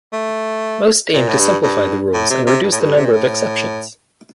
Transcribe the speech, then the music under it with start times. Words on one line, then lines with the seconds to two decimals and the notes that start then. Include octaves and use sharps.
Most aim to simplify the rules and reduce the number of exceptions.
0.13 A3
1.14 A#2
1.29 A2
1.39 G2
1.64 G2
2.14 A2
2.30 C3
2.47 C3
2.64 G2
2.72 A2
2.80 G2
2.96 C3
3.05 A#2
3.13 A2